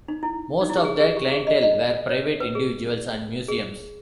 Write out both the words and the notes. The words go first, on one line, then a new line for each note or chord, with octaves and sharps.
Most of the clientele were private individuals and museums.
D#4
E4
D#4
E4
G4
G#4
G#4
G4
G#4
D#5
D#5
C#5
B4
G#4
G#4